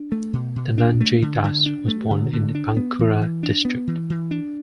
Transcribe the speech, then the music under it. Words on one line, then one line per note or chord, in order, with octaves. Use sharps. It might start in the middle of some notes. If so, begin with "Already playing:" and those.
Dhananjay Das was born in Bankura district.
Already playing: D4
A3
B2
B2
D4
A3
D3
D3
D4
A3
D3
D3
D4
B3
E3
E3
D4
B3
E3
E3
D4